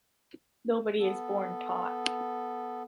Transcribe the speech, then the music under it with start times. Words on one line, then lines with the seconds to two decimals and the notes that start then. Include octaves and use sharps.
Nobody is born taught.
0.99 B3 A4